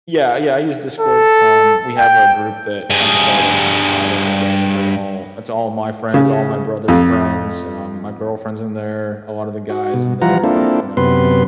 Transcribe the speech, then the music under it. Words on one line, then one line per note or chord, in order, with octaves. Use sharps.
Yeah, yeah, I use Discord. Um, we have a group that I'm a part of, uh, that's, again, it's, like, all it's all my friends, all my brother's friends, um, my girlfriend's in there, a lot of the guys in there, you know,
A4
G5
G2 G#4
C#3
F2
F#4
B2
E3 F3 G3 F4 F#5 A#5
A#3 C4 D4 E4 F4 A4
F#2 C3 B3 B4 C6